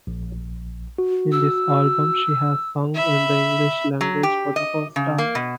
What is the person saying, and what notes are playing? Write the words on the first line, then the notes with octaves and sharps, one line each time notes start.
In this album she has sung in the English language for the first time.
A#1
F#4
E6
E5 B5
F#3
G4
D#5
C#3
A#3
B2